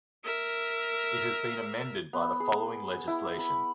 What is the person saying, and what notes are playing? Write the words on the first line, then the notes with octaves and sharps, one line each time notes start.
It has been amended by the following legislation.
A#4 E5
B3
G#4
E4
B5